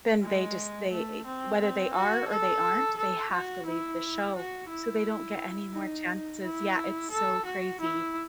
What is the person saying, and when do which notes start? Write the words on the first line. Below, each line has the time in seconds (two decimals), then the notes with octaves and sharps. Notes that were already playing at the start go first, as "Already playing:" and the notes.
Then they just they whether they are or they aren't, they have to leave the show, so they don't get any more chances. Yeah, it's so crazy.
0.22 G#3
0.91 A3
1.25 C4
1.59 C4
1.94 F#4
2.28 A4
2.97 A4
3.32 F#4
3.66 E4
4.35 F#4
4.69 E4
5.72 D#4
6.42 E4
7.11 A4
7.45 F#4
7.80 E4